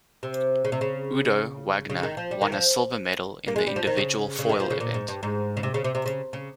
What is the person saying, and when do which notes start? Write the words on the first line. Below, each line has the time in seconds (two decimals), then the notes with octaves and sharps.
Udo Wagner won a silver medal in the individual foil event.
0.23 C3
0.65 C#3
0.72 C3
0.81 C#3
1.90 C#3
2.03 D#3
2.17 F3
2.31 G3
2.41 D#3
2.52 F3
3.48 A#3
3.56 G#3
3.67 G3
3.76 F3
3.87 D#3
3.97 C#3
4.39 C#3
4.49 D#3
4.60 F3
4.70 C#3
4.80 A#2
4.94 G#2
5.08 G2
5.23 G#2
5.57 C#3
5.63 C3
5.74 C#3
5.84 C3
5.95 C3
6.06 C#3
6.33 C#3